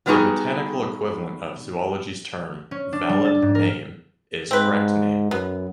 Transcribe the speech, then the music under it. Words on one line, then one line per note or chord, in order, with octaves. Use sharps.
The botanical equivalent of zoology's term "valid name" is correct name.
F#3 G3 B3 D#4 F#4 G#4
C#4
D4
G3
A6
G#2
A#4
G#2 C4 B4
F#2 B3